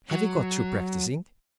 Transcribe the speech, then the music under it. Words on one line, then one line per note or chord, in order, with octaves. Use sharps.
Have you got through practising?
F#3